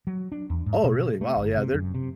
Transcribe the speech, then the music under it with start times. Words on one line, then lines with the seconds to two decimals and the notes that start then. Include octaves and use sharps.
Oh really? Wow, yeah, they're
0.07 F#3
0.32 D4
0.50 E2
0.66 G#2
0.84 B2
1.21 A3
1.36 G1
1.57 C3
1.74 F#2
1.95 C3